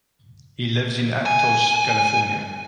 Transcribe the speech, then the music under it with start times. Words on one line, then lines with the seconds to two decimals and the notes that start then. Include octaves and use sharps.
He lives in Aptos, California.
1.26 G#5